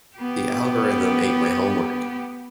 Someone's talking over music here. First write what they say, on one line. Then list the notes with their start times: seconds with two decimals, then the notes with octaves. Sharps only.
The algorithm ate my homework.
0.17 B3 G4